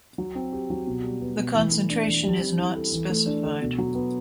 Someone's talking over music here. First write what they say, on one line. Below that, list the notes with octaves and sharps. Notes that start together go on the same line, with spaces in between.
The concentration is not specified.
F#3
C4
G4
F#3
B2
G3
B3
B2
E3
A3
D4
E3
G3
C4
E4
A4
E3
A3
D4
A4
B2
F#3
B3